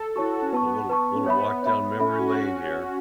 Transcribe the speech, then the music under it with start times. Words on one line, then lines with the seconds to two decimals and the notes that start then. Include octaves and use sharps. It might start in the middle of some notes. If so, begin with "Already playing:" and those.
a little little walk down memory lane here.
Already playing: A4
0.15 E4 F#4 C#5 A5 C#6
0.42 C#4
0.53 B3 B4 A5 C#6
0.89 B4 A5 C#6
1.15 C#4
1.26 B3 C#5 E5 B5
1.63 C#5 E5 B5
2.00 C#4 A4 E5 B5
2.19 F#4